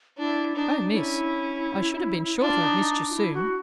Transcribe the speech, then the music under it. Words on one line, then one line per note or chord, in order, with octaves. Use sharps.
'Oh, miss, I should have been sure to have missed you soon.
D4 E4
D4 D#4
C#4 E4
D4 F4
D#4
D#4
F4
E4
F#4